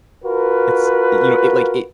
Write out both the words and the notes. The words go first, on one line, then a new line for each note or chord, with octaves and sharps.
It's, you know, it, like, it
F4 F#4 A#4 B4